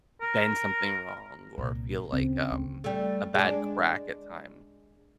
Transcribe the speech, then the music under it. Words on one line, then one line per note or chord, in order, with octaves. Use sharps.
bend something wrong or feel like, um, a bad crack at times
A#4
C2 A#2
D2 C#3 C4
D2 G#2
G3 A3
G#3 D4